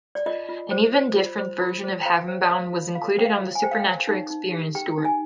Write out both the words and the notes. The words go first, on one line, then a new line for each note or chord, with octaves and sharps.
An even different version of "Heavenbound" was included on The Supernatural Experience tour.
D5
F4 D#5
F4
C5
C5
F4
C5
F4
C5
G5
C5 F5
C5
C5 F5
F4
F4 F5
C5 G5
F5
F4
G#5
C5 G5
F5
G5
A#4
D#4
D#4
G4
G4 G5
D#4
G#5